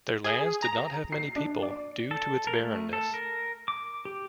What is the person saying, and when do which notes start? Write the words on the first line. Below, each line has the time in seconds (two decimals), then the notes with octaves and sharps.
Their lands did not have many people due to its barrenness.
0.24 G#4
0.62 A#5
1.12 C7
1.36 D4
1.62 D5
2.11 A4
2.47 A#4
2.61 A3
2.93 A4
3.14 A#4
3.68 D6
4.05 G4